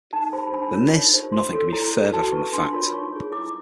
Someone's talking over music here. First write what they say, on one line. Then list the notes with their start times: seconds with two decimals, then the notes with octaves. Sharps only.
Than this nothing can be further from the fact.
0.13 D#4 A5
0.33 G4 C5 B5
0.52 D4 B5
0.73 F4 A#4 C#5
0.93 D#4
1.13 G4 C5
1.32 F4 C6
1.53 A4 C#5
1.73 E4 A#5
1.92 A4 C#5
2.12 F#4 A5
2.32 B4 C#6
2.53 D4 C6
2.73 F4 A#4 C#5 B5
2.92 D#4 C#6
3.12 G#4 C#5
3.32 E4 D6